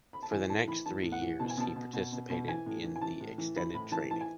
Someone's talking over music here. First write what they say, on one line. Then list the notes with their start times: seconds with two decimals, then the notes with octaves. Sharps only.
For the next three years he participated in the extended training.
0.13 B5
0.23 A5
0.31 E3 G#5
0.50 A2 A5
0.68 E3 B5
0.86 E3 A5
1.03 A2
1.12 F#5
1.22 E3
1.39 B2 A5
1.50 G#5
1.58 B2 A5
1.76 B2
1.93 B2
2.12 B2
2.30 B2
2.48 E3 G#5
2.66 A2
2.84 E3
2.96 G#5
3.01 E3 A5
3.21 A2
3.38 E3
3.56 E3 B5
3.74 A2 B5
3.92 E3 A5
4.11 E3 A5
4.21 G#5